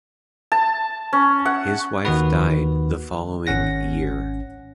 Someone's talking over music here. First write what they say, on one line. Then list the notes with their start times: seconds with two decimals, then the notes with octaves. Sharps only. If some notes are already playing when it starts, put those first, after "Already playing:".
His wife died the following year.
0.52 A5
1.13 C#4
1.45 F#5
2.05 D#2 D#3 F#4 B4
3.47 G#1 C#4 F#5 A#6